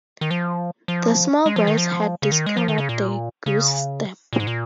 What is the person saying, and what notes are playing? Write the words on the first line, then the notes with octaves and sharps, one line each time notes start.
The small boys had discovered the goose-step.
D#3
F3
F3
G#3
F3
D#3
F3
C#3
D#3
G#3
F3
D#3
C#3
A#2
C#3
A#2
G#2
A#2